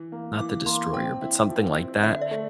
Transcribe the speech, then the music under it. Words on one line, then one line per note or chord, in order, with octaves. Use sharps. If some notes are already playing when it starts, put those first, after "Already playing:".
not the destroyer but something like that.
Already playing: E3
A#3
E3 D6
A#3 C6
C4 G5
E4
F3
C4
D3 E5
D5
A3